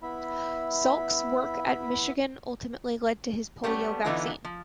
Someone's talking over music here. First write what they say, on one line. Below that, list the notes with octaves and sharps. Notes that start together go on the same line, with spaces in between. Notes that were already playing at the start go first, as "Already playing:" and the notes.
Salk's work at Michigan ultimately led to his polio vaccine.
B3 E4 E5 B5
G3 A3 B3 C#4
D3 E3 B3 D#4 F4
F3